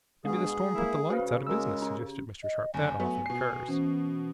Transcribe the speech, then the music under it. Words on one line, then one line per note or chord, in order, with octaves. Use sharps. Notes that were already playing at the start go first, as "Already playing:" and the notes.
"Maybe the storm put the lights out of business," suggested Mr. Sharp. "That often occurs."
B2 G#3 G#4
A#3 E4
C#3 F#4 B4 F5
G#3 A#4 E6
C#4
D#5
F#1 G#5
F#3 A3 B3
B2 C7
E3 C#4 C5